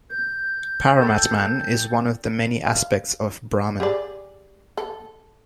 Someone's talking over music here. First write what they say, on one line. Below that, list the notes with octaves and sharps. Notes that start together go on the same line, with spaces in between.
Paramatman is one of the many aspects of Brahman.
G6
A4 G5
F5
G4 G#4 D5
A4